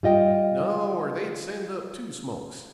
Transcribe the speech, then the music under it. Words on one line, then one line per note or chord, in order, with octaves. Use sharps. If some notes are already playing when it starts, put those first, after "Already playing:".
'No, or they'd send up two smokes.
G3 F4 D#5 G5